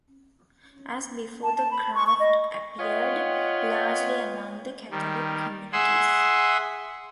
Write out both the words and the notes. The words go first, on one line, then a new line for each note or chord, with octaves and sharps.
As before, the craft appeared largely among the Catholic communities.
A5
A5
B5
C#6
C#6
D#5
F4 B4 C#5 D#5 F#5 G5
D#3 G3
G#4 E5 F#5 G#5 C6 E6